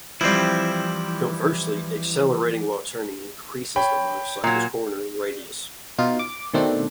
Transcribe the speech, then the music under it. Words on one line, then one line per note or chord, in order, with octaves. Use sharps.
Conversely, accelerating while turning increases the motorcycles cornering radius.
E3 F3 G3 C4 E4
C#5 G5 B5
A#2 F#3
B2 D#4 F4
D6
B2 D#3 A3 C4 D4